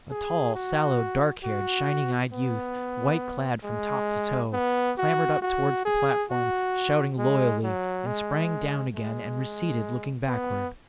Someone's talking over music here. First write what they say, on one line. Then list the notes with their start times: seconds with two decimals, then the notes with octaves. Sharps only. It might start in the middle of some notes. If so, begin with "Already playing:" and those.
A tall, sallow, dark-haired, shining-eyed youth, white clad from top to toe, clambered up towards the platform shouting loyally, and sprang down again and receded, looking backward.
0.10 G#4
0.55 F#4
1.44 F#4
2.33 B3
3.64 G#3
4.53 B3
4.98 F#4
5.42 F#4
5.85 G#4
6.30 F#4
7.18 G#3
7.63 F#3
8.06 G#3
8.96 G#3
10.28 B3